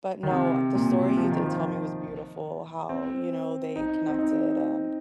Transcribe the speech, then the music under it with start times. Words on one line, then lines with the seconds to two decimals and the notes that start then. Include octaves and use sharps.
But, no, the story you did tell me was beautiful, how, you know, they connected and,
0.23 D#3
0.31 C3
0.75 A#2
0.88 A#2
1.03 C3
1.17 F3
1.31 D#3
1.45 F3
2.89 C4
3.76 D#4
4.09 C4
4.19 D#4